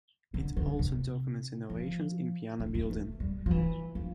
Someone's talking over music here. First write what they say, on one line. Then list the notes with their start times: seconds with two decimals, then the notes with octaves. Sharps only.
It also documents innovations in piano building.
0.34 D3
0.57 D3
0.79 C3
1.70 F3
2.60 A3
2.75 A3
2.90 A3
3.20 G3
3.46 F3
3.51 E3
3.95 F3